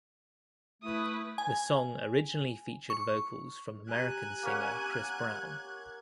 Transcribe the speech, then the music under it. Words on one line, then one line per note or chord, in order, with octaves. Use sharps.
The song originally featured vocals from American singer Chris Brown.
A3 E4 B4 D#6
G#5
C#6
G4 G#5 A#5 F#6 G#6
A#3 C#4 F#5